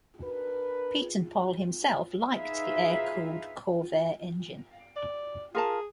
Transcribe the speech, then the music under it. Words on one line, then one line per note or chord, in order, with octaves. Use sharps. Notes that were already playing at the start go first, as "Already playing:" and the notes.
Pietenpol himself liked the air-cooled Corvair engine.
D4 A#4 B4
D#4 F4 G#4 B4 E5 F5
D5
F4 G#4 A#4 A5